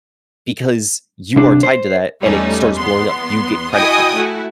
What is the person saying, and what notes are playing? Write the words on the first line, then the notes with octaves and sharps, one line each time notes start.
because you are tied to that and it starts blowing up, you get credit for that
C2 D4
C5
E2 G3 A3 C#4 D#4
E2 B3 C6
E4 F#4 D#5 G5 G#5 D#6
A3 E4 F#4